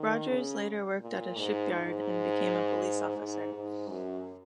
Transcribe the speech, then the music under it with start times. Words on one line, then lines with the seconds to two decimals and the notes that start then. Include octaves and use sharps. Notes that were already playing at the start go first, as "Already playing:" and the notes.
Rogers later worked at a shipyard, and became a police officer.
Already playing: D#3
0.29 C#3
1.01 A#2
1.37 G#2
1.73 G#2
3.17 G#2
3.53 G#2
3.89 F#2